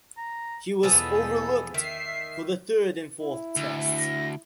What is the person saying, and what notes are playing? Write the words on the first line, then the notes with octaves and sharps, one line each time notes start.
He was overlooked for the third and fourth tests.
A#5
E2 B2 F3 B3 G#4 A4
D#3 E5 C7
E4
D2
A#6